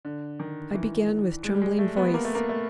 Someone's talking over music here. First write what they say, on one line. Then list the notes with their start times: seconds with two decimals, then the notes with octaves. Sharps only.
I began with trembling voice.
0.05 D3
0.40 D#3
0.74 E3
1.44 G#3
1.55 G3
1.62 G#3
1.79 A3
1.97 B3
2.14 A#3
2.25 A3
2.35 A#3
2.49 A3